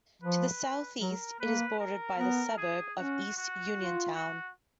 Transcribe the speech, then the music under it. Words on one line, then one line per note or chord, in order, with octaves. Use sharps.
To the southeast it is bordered by the suburb of East Uniontown.
F3 B4
F#3 A#4
A#3 B4
A#4
B3 A#4
G#4
C#4 F#4
F#4
F4
F#4